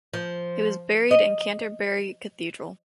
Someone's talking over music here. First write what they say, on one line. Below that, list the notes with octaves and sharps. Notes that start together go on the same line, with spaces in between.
He was buried in Canterbury Cathedral.
F3
D#5